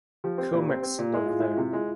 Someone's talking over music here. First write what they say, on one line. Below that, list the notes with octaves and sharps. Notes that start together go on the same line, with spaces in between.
Kumyks live there.
F3 G4
C4
A#2
C4
C4
A#2
G#3 E4
G#3 F4
G#3 E4
C3
G#3